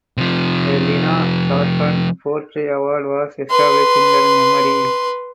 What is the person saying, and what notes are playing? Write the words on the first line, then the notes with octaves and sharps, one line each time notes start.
The Lina Chartrand Poetry Award was established in her memory.
C3 F3
B4 C6